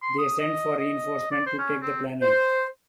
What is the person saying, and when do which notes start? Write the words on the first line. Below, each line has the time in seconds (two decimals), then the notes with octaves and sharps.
They send for reinforcements to take the planet.
0.03 C6
0.18 D#6
0.39 D#5
0.79 D#5
1.31 D5
1.47 C5
1.58 C#4
1.82 C4
2.22 C5